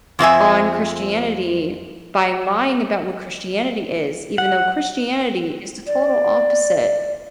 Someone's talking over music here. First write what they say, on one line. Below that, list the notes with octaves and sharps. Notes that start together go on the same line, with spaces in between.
on Christianity by lying about what Christianity is, even though Christianity is the total opposite
F2 C4 E5 G#5
F#5
D5